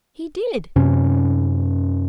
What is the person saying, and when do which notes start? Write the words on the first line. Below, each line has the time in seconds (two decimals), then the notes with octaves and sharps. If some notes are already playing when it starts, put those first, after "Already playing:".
"He did."
0.76 F#2 C3 C#4